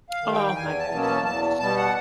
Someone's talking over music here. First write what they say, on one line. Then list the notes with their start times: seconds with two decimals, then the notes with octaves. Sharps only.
Oh, my goodness.
0.10 F5
0.22 D#3 G3
0.33 G5
0.47 G5
0.56 E2 G#5
0.79 A5
0.90 B2 F#3 A#3 C#4
1.02 A5
1.25 E2 A5
1.59 B2 G3 A5
1.77 F#5